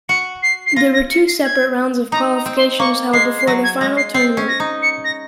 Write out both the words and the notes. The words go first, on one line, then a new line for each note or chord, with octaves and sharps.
There were two separate rounds of qualifications held before the Final Tournament.
F#4 C#7
C7
C7
F4 A#6
A#6
C#7
C7
G#6
D#4 A#5
A#5
C4
C6
A#3 C#6
G#3 C7
C7
F#3 A#6
G#6
G#3 A#6
C7
C4 C7
C#4
A#6
D#4
C#7
A#6